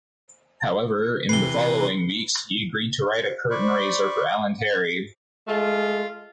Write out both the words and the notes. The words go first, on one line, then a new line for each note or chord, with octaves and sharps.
However, in the following weeks, he agreed to write a curtain raiser for Ellen Terry.
C3 E3 B4 C7 G7
C5 D5 B5 C#6
G#3 A3 F4